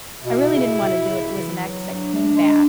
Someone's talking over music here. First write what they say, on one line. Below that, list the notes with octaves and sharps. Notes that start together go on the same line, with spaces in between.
I really didn't wanna do it, it was an ex that came back
B2 E4
C#3
B2
C#3
E3
F#3
F#3 D4
A3
A3
G#3